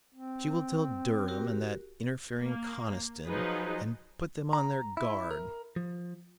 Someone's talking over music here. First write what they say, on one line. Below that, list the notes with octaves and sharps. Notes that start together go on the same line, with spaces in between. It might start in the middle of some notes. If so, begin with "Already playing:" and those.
She will tell Durham and that interfering Conniston and put them on their guard.
C4
F#4 G4 A#4
A#3
F3 F#3 D#4 G#4 B4
A#5
E4
A#4
F3